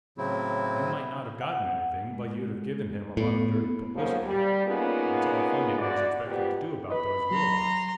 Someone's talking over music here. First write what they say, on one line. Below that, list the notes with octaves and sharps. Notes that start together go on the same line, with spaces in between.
"You might not have gotten anything, but you'd have given him a lot of dirty publicity. That's all Fleming was expecting to do about those wheel locks."
A2 C#3 F#3 C4 E4
F#5
G#3
A2 B3 A4
G#2 C#3 F3 F#3 A#3
G3
A#3 B3 C#4 D#4 F4 G#4
E2 D3 F#4 D5
F2 A#2 B3 G4
B4 D#5 B5
F#3 A#5 C6